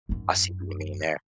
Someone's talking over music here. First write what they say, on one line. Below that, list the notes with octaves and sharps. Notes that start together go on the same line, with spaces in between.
I see what you mean there.
G#1 F#2